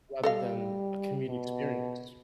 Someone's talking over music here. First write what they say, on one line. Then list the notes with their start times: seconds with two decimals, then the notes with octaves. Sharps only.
rather than a community experience.
0.24 G3 A4 D#5 F5
1.28 B2